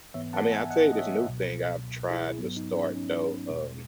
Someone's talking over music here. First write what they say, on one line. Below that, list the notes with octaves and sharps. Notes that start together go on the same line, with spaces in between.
I mean, I'll tell you this new thing I've tried to start, though, um,
G#2 E3 B3 C#5 E5
F#5 A5
E5 G#5
D#5 F#5
D#5
C#5 E5
C#2 B2 F#3
E4 G#4
G#2 F#3 B3
D#4
C#4
D#4
C#4
E2 B2 G#3